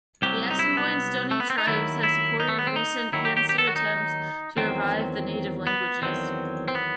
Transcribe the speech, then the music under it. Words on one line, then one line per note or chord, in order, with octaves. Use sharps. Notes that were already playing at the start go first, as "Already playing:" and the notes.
The Assiniboine-Stoney tribes have supported recent "pan-Sioux" attempts to revive the native languages.
C2 C3 D#3 F#3 G4
D#4
E4
B3
A3
B3
C4
D#4
D#2 D#3 F#3 E4
E4
D#4
A3
B3
C4
D#4
D#2 D#3 F#3 E4
G4
G4
G4
A4
F#4
D#4
E2 D#3 F#3 C4
B3
E2 D#3 F#3 C4
C4
B3